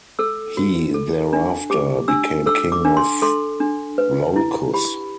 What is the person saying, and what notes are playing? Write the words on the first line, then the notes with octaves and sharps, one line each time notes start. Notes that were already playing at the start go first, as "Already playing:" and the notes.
He thereafter became king of Iolcus.
A4 E6
F#4
A4
D4
G4 D6
D4 E6
A4 E6
D6
D4
C6
A4 C6
D4
B4
E4
G4 B5